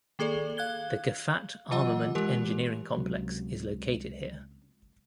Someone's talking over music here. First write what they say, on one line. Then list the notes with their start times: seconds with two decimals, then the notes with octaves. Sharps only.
The Gafat Armament Engineering Complex is located here.
0.19 D#3 A#3 G#4 A4 D5
0.57 F5 F#6 G#6 G7
1.71 E3 F#3 F4 D#5 F#5
2.15 E3 G#3 G4 A#4
2.96 C#2 C3 F#3 A#3